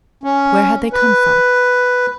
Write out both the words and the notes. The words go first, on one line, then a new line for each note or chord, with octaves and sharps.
Where had they come from?
C#4
B4